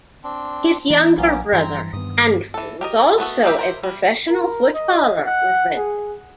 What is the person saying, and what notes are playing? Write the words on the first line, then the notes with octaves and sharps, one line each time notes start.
His younger brother Andrew was also a professional footballer with Renton.
C4 D4
E3 B3 A#5
A#1 F#3 A#3 B3 C#4 D4
G2 E3 C4 A#5
G2 D#3 B3 D#6
E3 A4
G4 A#4 D#5
A3 B3 F#4 A4
G3 A#3 D#4 G4 E5
E4 A#4 C5
G3
A#4
D#5
F#5
G#4